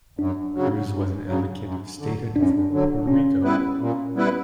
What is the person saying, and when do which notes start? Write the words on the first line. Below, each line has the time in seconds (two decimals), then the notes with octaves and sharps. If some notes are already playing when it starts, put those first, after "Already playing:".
Cruz was an advocate of statehood for Puerto Rico.
0.19 F#2 D4
0.55 C#3 F#3
0.91 F#2
1.27 C#3 F#3
1.63 F#2
1.99 D3 F#3
2.36 F#2 D4
2.43 C#4
2.50 D4
2.72 D3 F#3
3.07 A#2 C#4
3.44 G3 B3 E4 B4
3.79 A#2
4.16 G3 B3 E4 B4